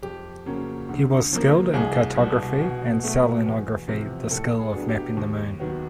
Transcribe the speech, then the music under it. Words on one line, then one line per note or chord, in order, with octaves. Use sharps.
He was skilled in cartography and selenography, the skill of mapping the Moon.
F2 G4
C#3 F#3 A#3 C#4
D2
C#3 F3 A#3
C2 G#4
B2 G3
B2
F#3 A3
E2
C3 F3
A2 A4
G#4
F#3 B3 D4
G4
D#2
D#3 F#3 B3